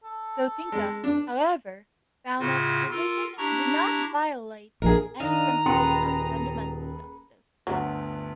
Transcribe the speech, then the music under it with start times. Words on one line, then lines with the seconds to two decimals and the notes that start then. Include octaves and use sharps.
Sopinka, however, found that the provision did not violate any principles of fundamental justice.
0.04 A4
0.72 G#3
1.04 D4
2.39 A2 C#3 F4 F#4
2.91 F4 A4 A#4
3.38 D4 E4 G4 A#5 C#6
4.82 A#1 G#4 A#4
5.20 D#3 D4 D#5 F5 A#5
5.66 D#1 C#4 G#4 A4 B4 G5 C6
7.67 G1 D2 F#3